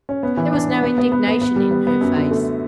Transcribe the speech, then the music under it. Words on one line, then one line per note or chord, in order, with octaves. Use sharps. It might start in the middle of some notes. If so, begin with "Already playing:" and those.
There was no indignation in her face.
C#4
B3
E3
D4
D4
B3
B3
B3
B3
B3
G3
B3
B3
F#2
D3
A3